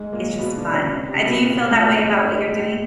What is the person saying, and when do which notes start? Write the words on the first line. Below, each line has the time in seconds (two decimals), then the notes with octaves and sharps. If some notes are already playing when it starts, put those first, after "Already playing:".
it's just fun. I Do you feel that way about what you're doing?
Already playing: G#2 G#3
0.13 A#2 A#3
0.39 B2 B3
0.56 D3 D4
0.74 C#3 C#4
1.08 C3 C4
1.26 B2 B3
1.43 A#2 A#3
1.69 A2 A3
1.95 G#2 G#3
2.48 A2 A3